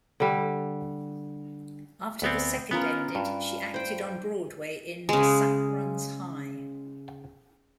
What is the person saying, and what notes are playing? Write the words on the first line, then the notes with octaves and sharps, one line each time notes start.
After the second ended, she acted on Broadway in "The Sap Runs High".
D3 G3
D2 B3 C4
B3 C#4 F4 A#4
G2
C5 G5
C#3 G#3